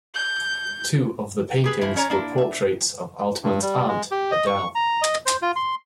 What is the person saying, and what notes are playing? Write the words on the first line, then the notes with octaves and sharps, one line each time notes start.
Two of the paintings were portraits of Altmann's aunt, Adele.
G6
G4 G#4 B4
E3 F3 E4
C#4 C#5 D5 A#5
A#3 D4 E4
E5
G2
G3
G#3
G4
D#5
C#6
A#5
D#5
C5
F4
C6